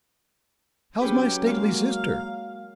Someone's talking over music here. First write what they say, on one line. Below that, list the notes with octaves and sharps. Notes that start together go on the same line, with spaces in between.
How's my stately sister?
F#3 C#4 G4 G#4 B4
G#3 A#3 F5